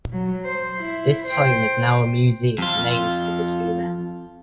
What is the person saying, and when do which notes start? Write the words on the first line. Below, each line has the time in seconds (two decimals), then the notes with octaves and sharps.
This home is now a museum named for the two men.
0.12 F#3
0.45 C5
0.79 E4
1.26 C5 G5
2.58 F2 F4